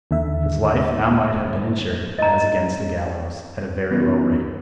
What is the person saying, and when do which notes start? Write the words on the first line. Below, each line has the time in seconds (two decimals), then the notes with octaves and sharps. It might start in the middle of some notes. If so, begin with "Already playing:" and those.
His life now might have been insured, as against the gallows, at a very low rate.
0.11 D#2 D3 E5
2.19 D#5 A#5
3.91 E3 B3 C#4 D#4 F4 B4